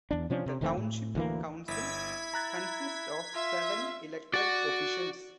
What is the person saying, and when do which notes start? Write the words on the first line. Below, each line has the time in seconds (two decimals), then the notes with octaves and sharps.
The Township Council consists of seven elected officials.
0.11 E2 D4
0.30 C3 F3 C#4 D4
0.46 C3
0.61 F1 D#3 A3 C4
0.77 A2
1.15 D2 E3 A#3
1.68 G1 E4 G#6 B6
2.34 A#5 F#6 A6
3.34 F4 E5
4.34 F#4 D5 F#5